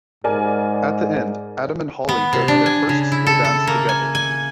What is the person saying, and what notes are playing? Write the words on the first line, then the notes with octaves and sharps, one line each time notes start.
At the end, Adam and Holly go to their first school dance together.
G#2 A#4 D5 G#5
B3
C3
D4
G#5
C#3
E4
A4
A4
A#3
G#5
G#5